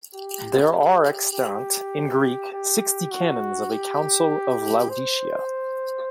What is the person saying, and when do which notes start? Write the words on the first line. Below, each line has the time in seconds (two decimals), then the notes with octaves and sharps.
There are extant, in Greek, sixty canons of a Council of Laodicea.
0.14 G4
1.33 G4
2.52 G4
3.11 F#4
3.71 G4
4.90 C5